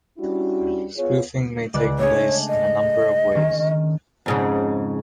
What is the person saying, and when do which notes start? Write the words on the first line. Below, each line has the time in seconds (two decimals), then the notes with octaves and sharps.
Spoofing may take place in a number of ways.
0.19 G3 C#4 D4 E4 F#4
0.97 B3 F4 G#4 C#5
1.74 C#2 D5 F#6
1.99 A3 D4 G#4 C#5
2.48 D#5
3.35 D#3 C#4
4.26 F2 G#2 C#3